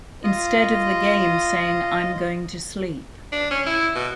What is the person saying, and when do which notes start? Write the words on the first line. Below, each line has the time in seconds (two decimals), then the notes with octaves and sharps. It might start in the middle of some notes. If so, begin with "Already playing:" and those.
Instead of the game saying I'm going to sleep.
0.24 F4 D#5
3.32 D4
3.51 C#4
3.66 E4
3.95 B2